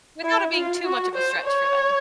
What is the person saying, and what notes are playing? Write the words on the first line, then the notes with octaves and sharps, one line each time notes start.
without it being too much of a stretch for them.
E4
F4
F#4
C5
C#5